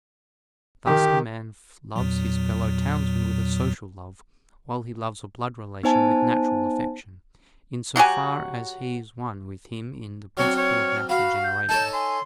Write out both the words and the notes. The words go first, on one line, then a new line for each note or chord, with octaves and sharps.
Thus a man loves his fellow townsman with a social love, while he loves a blood relation with natural affection, in so far as he is one with him in the principle of natural generation.
D#3 G4
E2 A#2 F#3
B3 D#4 C5 G#5 A5
F#3 F#4 G4 G#5
F#3 C4 D4 C#5 F6
C#5
F#4 F5 B5
G6
D#4 A4 C#5 A5
G#5 C6